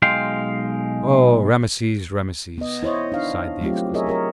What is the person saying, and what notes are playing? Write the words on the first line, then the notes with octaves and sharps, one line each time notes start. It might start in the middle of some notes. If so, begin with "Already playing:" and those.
"O Rameses, Rameses!" sighed the exquisite.
B1 G#3 F5 G5 C6
B3 D#5
E4 C5 C#5 D#5
D4 D#4 F5
F#3 A3 C4 F4 G4
G#4 A#4 C#5 D#5 E5
G4 A#4 C#5